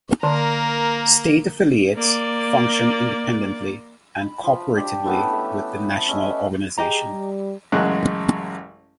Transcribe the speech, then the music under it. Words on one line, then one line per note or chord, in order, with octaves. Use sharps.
State affiliates function independently and cooperatively with the national organization.
D3 A#3 A#4 A5 C6
A#3 D5
B5
F3
D4 G4
E3 A3 B3 C#4
A3
C#4 D#5 E5
G4 G#4 D#5 A#5
G3
A1 F#2 C#3 G#3 F#6